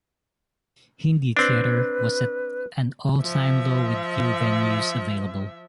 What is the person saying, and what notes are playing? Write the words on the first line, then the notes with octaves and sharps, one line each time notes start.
Hindi theatre was at an all-time low with few venues available.
C4 D4 B4
F3 E5